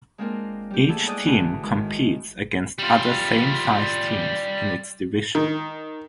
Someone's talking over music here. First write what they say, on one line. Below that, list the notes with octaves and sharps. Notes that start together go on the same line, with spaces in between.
Each team competes against other same-sized teams in its division.
G#3 A#3 C4 D4 F4 A#4
G3 G4
A3 B3 G#4 A4
G#2 G#4 D5 G5 D#6 F#6
D3 E3 A3 E4 F#4 G#4
A2 D#3 G#3
G3 F4
D#3